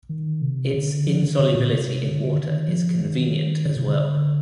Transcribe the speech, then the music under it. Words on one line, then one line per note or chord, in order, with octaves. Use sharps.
Its insolubility in water is convenient as well.
D#3
C3
D3
F3
D#3
D3
A#2
C3
D3
D3
D#3
F3
D#3
D3
C3
D3